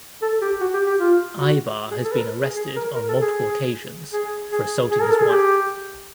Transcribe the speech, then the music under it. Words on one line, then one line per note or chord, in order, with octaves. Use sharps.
Aybar has been arrested on multiple occasions for assaulting his wife.
A4
G4
F#4
G4
G4
F4
F#4
G#4
A4
B4
A#4
G#4
G#4
A#4
A#4
A4
G#4
G#4
G#4
G#4
A#4
A4
G#4
G4